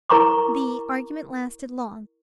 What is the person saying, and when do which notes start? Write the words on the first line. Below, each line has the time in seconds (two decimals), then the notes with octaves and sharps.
The argument lasted long.
0.10 E4 A#4 A#5 C#6 D6